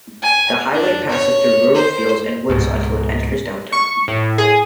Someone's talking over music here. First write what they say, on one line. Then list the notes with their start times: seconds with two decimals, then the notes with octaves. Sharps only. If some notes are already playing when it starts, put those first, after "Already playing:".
The highway passes through rural fields and woods until it enters downtown.
0.22 G#5
0.72 D4
1.09 C#5
1.74 C5
2.50 C#2 G#2 B2
3.72 C#6
4.08 A2
4.38 G#4